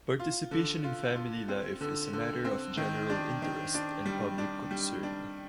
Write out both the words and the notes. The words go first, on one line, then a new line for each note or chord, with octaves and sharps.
Participation in family life is a matter of general interest and public concern.
F4
D3
F4
F4
C4
D3
D3
C4
D#3
D4
D#3
D4
G3
D4
G3
D4